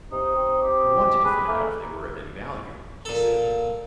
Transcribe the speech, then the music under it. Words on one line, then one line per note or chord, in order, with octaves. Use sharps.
"I wanted to find out if they were of any value," he said.
C3 D#4
C4
G4
G#4 B4
A3 A#3
A#2 A4